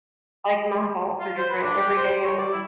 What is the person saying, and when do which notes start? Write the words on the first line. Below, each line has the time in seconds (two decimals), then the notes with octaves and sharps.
like, my thoughts are different every day on
1.19 F4
1.37 C5
1.49 B4
1.62 D4
1.78 G4
1.96 C5
2.24 C#5
2.37 D5
2.52 E4